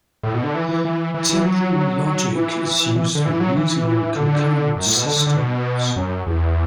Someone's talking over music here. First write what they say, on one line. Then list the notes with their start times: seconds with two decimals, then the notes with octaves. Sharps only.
Temporal logic is used for reasoning in concurrent systems.
0.23 A2
0.34 B2
0.44 D3
0.54 E3
0.69 E3
0.85 E3
1.15 E3
1.30 E3
1.44 F#3
2.35 E3
2.96 E3
3.15 D3
3.25 E3
3.40 F#3
3.56 E3
4.16 D3
4.76 F#2
4.86 A2
4.96 B2
5.06 D3
5.16 D3
5.27 D3
5.37 B2
5.96 F#2
6.27 E2